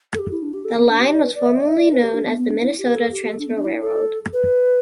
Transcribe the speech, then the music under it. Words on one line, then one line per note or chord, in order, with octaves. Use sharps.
The line was formerly known as the Minnesota Transfer Railroad.
A4
G4
E4
D4
G4
A4
B3
D4
G4
D5
B4
D5
E5
D5
E5
D5
B4
G4
D4
B3
B3
D4
E4
G4
B4
A4
G4
A4
D4
B3
D4
E4
A4
B4